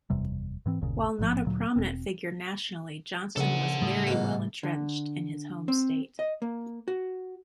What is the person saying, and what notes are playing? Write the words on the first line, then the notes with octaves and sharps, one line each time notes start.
While not a prominent figure nationally, Johnston was very well-entrenched in his home state.
F#1 E2 C3 G3
G#2 E3 C4
G1 D#2 A#2 C#3
A1 G#2 F3
D2 A#2 F#3
E1 B2 C4
A#1 C#3 A4 F#5
A2 G3 E5 D#6
G#2 B2 A#3
D3
C4
D#5
A#3
F#4